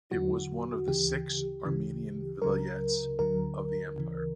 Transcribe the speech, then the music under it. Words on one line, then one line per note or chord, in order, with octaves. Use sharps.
It was one of the six Armenian vilayets of the Empire.
E2 D3 F#3 F#4
D2 C#3 E3 G4
D2 C#3 E3
C#2 C#3 F#3 A#4
D2 D3 F#3 A#4
D2 C#3 E3